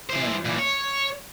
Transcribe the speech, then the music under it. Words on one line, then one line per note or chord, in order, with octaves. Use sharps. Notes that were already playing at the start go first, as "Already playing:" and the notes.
I know.
E3 C5
A#2 E3
C#5